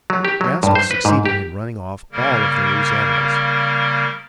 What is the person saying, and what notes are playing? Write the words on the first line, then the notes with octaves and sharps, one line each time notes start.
The rascals succeeded in running off all of their loose animals.
F#3
G4
F#3
G2
C5
B4
G#2
G4
C#3 G3 A#3 A#4